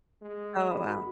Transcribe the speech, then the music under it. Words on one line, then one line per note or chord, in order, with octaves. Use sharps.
Oh, wow.
G#3
G#1 F#4 B5